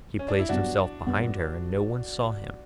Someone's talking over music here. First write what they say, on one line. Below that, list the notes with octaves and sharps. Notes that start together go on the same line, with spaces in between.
He placed himself behind her, and no one saw him.
C#4
D4
E4
G2 F#3 B3 D4 F#4
G2 F#3 B3